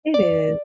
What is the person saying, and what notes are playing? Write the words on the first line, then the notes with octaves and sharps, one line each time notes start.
It is.
D5